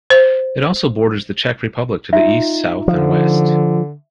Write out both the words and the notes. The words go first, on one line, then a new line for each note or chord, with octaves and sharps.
It also borders the Czech Republic to the east, south and west.
C5
D#4 F4 E5
D3 F3